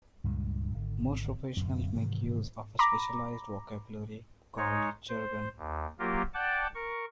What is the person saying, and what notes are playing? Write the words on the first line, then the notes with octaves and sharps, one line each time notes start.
Most professionals make use of a specialised vocabulary called jargon.
C#2 G2 A#2 G#3
G#1 D3
D1 F#2
G#2 C3 D#3 E3
A#5 B5 D6 A#6
G#3 D#4 C#5
C5
D#2
F#3 A#3 F4 G4 A#4
D5 F#5 G5 A5 D6
A#4 C#6